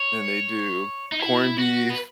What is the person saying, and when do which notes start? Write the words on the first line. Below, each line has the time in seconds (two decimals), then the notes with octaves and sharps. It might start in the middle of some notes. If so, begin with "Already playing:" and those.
And they do corned beef
Already playing: C#5
1.12 D#4
1.19 E4
1.59 F#4
1.90 B4